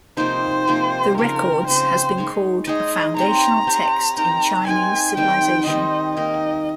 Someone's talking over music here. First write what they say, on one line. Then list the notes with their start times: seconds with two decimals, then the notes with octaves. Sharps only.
The "Records" has been called a "foundational text in Chinese civilization".
0.17 C3 F3 A#3 D#4 C5
0.67 C3 F3 A#3 D#4
1.17 C#3 F3 C4 A#4
1.67 C#3 F3 C4 C5
2.17 G#3 D#4 G#4 C#5
2.67 G#3 D#4 G#4 C#5 D#5
3.16 C4 G4 C#5 A#5
3.67 C4 G4 C#5
4.17 C4 D#4 A#4 A#5
4.67 C4 D#4 A#4 G#5
5.17 D#3 G3 C4 D#4 G5
5.66 D#3 G3 C4 D#4 D#5
6.17 A#3 D#4 A#4 D#5